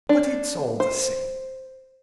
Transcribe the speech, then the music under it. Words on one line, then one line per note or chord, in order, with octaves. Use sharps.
But it's all the same.
D4
C5